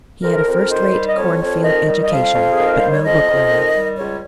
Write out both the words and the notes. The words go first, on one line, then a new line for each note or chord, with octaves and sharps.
He had a first-rate corn-field education, but no book learning.
F2 A#4
F2
A#4
D#3 C5
G3
D#5
F2 C#5
F2
D#3 D#5
G3
D#5
F2 F5
F2
D#3 G#4
A#4
G3 C5
C#5
F2 D#5
F2
D#3
G3
C#2 C#5